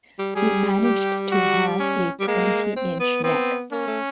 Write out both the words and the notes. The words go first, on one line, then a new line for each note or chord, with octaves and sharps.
He managed to have a twenty-inch neck.
G3
G3 G#4
G4
F#4
C#4
G3
G#3 A#3
C4
B3
B3 C4
A#3 C#4
A3